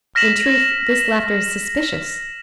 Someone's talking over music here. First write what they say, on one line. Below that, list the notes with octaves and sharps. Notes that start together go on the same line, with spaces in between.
In truth, this laughter is suspicious.
F6 A#6 B6 E7 F#7